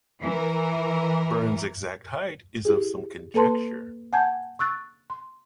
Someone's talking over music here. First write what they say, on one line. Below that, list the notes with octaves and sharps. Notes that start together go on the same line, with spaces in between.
Byrne's exact height is of some conjecture.
E3 A#4
E4 G4 G#4
A#3 A4 B4 A5 C6
F#5 G#5 A5 G6 G#6
C#6 E6 F#6 A6
C6